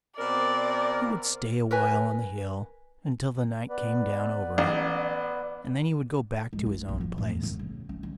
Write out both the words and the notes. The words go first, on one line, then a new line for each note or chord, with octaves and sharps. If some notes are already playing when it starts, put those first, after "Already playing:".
He would stay awhile on the hill, until the night came down over it, and then he would go back to his own place.
B2 C4 A#4 D5
A#4 B4 G#5
B3 B4 D5
A1
G#3
E4
A#1
F3
A2
E2
C#3
C#3
C#4
D3